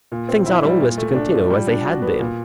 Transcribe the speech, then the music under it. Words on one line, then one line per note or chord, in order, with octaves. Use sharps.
Things ought always to continue as they had been.
A#2
C4
E4
G3
A#2
A3
D4
F3
G3
D4
F#4
B3
A#2